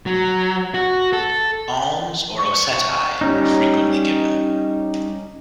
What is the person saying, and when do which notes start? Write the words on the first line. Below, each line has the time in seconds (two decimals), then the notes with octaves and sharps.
Alms or "osettai" are frequently given.
0.06 F#3
0.74 F#4
1.13 A4
2.38 C#6
3.21 G3 C#4 D#4